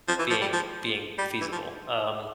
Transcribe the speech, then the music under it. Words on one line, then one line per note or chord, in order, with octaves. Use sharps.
being being feasible, um,
F3
E3
F3
G3
F3
G3
E3
F3